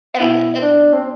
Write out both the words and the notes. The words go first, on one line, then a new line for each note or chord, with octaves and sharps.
And eh eh
B2 E4
D4
C4